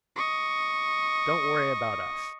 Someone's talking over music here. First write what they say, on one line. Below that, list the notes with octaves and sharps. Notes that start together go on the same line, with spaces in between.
Don't worry about us.
D#5 C#6